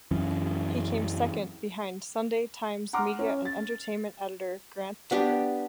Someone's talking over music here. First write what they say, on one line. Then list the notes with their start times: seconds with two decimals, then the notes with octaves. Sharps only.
He came second behind Sunday Times Media and Entertainment Editor Grant Tucker.
0.11 F#2 E3 C#4
2.93 F#5 A#5 C6 D6 F6
3.19 C#4
3.45 A6
5.11 B3 D4 G4